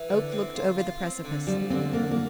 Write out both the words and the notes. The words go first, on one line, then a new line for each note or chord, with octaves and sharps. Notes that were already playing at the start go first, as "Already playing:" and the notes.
Oak looked over the precipice.
Already playing: E3
D3
C4
F4
F4
C4
D3
F3 G3
D3 C4
D3 A#3
A#3